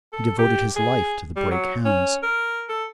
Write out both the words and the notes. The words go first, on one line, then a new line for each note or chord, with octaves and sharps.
He devoted his life to the Brake Hounds.
A4
G4
G#4
G3
F#3
C#4
A#4
A4